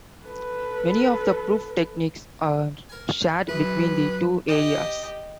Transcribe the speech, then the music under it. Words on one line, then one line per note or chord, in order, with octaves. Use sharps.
Many of the proof techniques are shared between the two areas.
A4 B4
A#4 G#5
F#2 G#3 B4 E5
G4 D#5